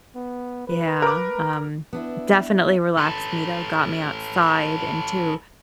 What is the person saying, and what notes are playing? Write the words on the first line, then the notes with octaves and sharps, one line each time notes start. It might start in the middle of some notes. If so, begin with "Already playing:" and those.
Yeah, um, definitely relaxed me, though, got me outside into
B3
B4
A#4 D6
B3 D4 E4
A4 B4